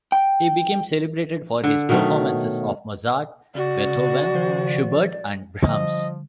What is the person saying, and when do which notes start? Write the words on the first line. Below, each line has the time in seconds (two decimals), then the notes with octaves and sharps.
He became celebrated for his performances of Mozart, Beethoven, Schubert and Brahms.
0.12 G5
1.64 D3
1.89 B2 D#3 F#3 A3
3.55 C#3 F#4 D5
4.34 D#3 F3 C5
5.64 D3 F3 G3 D#5